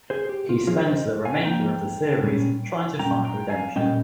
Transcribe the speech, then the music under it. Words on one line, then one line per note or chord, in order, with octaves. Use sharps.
He spends the remainder of the series trying to find redemption.
G#4 C5
G4
F4
F3 A#3 D#4 F4 G#4
C5 D#5
F5 G#5
F3 A#3 D#4 G5 A#5
A#2 G3 C#4
A#2 G3 C#4 G5 A#5
G5 A#5
F5 G#5
A#2 G3 C#4 D#5 G5